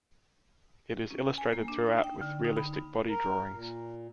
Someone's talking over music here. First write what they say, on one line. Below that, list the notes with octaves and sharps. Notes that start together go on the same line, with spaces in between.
It is illustrated throughout with realistic body drawings.
C#4
G#5
A#3
D4
D#4
G5
D3
D#4
B5
A#4
A#2